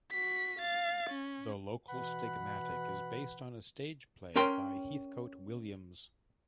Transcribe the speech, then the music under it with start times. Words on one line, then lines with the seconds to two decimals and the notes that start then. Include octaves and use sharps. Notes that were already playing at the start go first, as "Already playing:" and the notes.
"The Local Stigmatic" is based on a stage play by Heathcote Williams.
0.12 F#4 B6
0.60 F5 A6
1.10 C#4
1.88 B2 E3 B4 F#5 B5
4.36 C#4 A#4 G5 C6